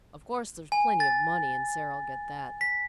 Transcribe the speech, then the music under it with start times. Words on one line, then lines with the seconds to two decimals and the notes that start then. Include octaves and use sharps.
Of course, there's plenty of money and Sara'll get that.
0.72 G#5
1.00 A6
2.61 B6